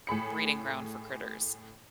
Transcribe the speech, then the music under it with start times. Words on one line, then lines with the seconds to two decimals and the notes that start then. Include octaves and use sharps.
breeding ground for critters.
0.07 A2 G#4 B5 C#7